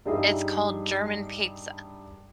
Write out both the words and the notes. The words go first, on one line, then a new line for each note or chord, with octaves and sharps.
It's called German pizza.
G2 G3 D#4 G#4 D#5 E5